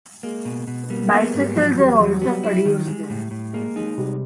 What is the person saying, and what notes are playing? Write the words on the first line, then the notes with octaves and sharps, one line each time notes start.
Bicycles are also produced there.
G#3 A#3
B2
B2
B3
G3 A#3
A#3
B3
G#3
G#2
G3
F3 F#3
E2 G3
E2 F#3
G3 B3
E4
D#3
G#3
A2
A2
G#3 A#3
G#3 D#4
C3 G3